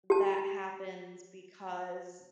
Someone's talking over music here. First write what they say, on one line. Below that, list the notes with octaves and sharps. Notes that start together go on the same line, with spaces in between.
that happens because
G4 A5